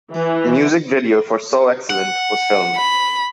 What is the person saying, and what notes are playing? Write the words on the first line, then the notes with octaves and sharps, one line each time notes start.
A music video for "So Excellent" was filmed.
E3
F#5
B5